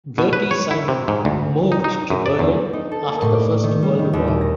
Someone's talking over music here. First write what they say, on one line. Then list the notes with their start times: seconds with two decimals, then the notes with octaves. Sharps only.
Gerty Simon moved to Berlin after the First World War.
0.18 B2
0.33 B4
0.51 C#5
0.71 E4
0.88 C3
1.08 G#2
1.25 D2
1.72 D#4
1.84 D#4
2.10 F#2
2.26 D5
2.39 E2
2.73 D#4
2.92 A4
3.08 A#3
3.22 A2
3.35 D5
3.63 D#3
3.83 G3
3.99 D#3
4.13 D#2
4.28 A#2
4.41 A#6